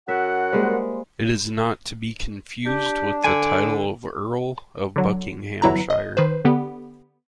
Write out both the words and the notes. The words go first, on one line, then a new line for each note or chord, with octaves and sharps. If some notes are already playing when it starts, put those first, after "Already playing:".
It is not to be confused with the title of Earl of Buckinghamshire.
F#2 F#4 E5 F#5
G3 G#3 A#3 C5
D4 G4
D3 D5 G#5
D3 F#3
G1 E2 F#3 E4 B4 A#5
D#5
D#3 B4 C5
D3 B3 G4